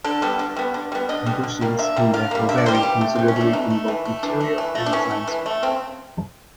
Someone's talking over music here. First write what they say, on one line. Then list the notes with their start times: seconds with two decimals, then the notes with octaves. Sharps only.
Bushings can therefore vary considerably in both material and design style.
0.04 D3 A4
0.22 G3 B3
0.39 D3
0.56 G3 B3
0.74 D3
0.92 G3 B3
1.09 D3 D#5
1.26 G3 B3
1.43 D3
1.61 G3 A#3
1.79 D3 E5
1.96 G3 A#3
2.13 D3 F5
2.31 G3 A#3
2.49 D3 E5
2.58 D5
2.66 G3 A#3 C5
2.75 G4
2.83 E3
3.01 A3
3.16 E3 C4
3.28 C#4
3.36 A3 D4
3.53 E3 D#4
3.70 A3
3.88 E3
4.05 A3
4.23 E3 D4
4.40 A3
4.58 E3
4.75 A3
4.86 D4
4.93 E3 C#4
5.11 A3
5.28 E3
5.46 A3
5.63 C#3 C4